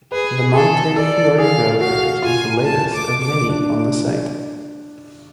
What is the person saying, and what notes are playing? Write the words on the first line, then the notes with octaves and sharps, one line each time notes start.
The Montefiore Road bridge is the latest of many on the site.
G#4 B4
G#4 A4
A4 D5
G#4 F5
F#4 F5
F4 G#5
A5
D6
D6
D4